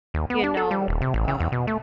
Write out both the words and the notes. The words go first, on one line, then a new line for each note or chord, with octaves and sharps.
you know, uh
D#2
B3
D4
A4
G3
D#1
C3
A1
C#3
E2
B2
A3